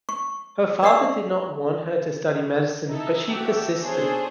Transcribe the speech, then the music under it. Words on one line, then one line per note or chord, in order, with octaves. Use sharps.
Her father did not want her to study medicine, but she persisted.
C#6
D5 D#5 F#5 C#6 E6
D#4 E4 A4
F#4 G4 A4 E5
B3 D4 G#4 A4 C5 C#5